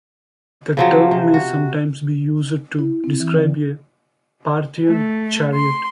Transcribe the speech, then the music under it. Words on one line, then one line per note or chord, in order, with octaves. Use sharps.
The term may sometimes be used to describe a Parthian chariot.
C#3 F3 F#3
C3
F#4
E4
C4
E3
D3
A3
C6